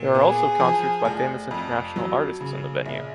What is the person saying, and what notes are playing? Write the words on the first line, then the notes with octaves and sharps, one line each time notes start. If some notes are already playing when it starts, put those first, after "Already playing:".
There are also concerts by famous international artists in the venue.
Already playing: A#2
B3 G#4
F3
F1
F2
F#3
C#3
A#1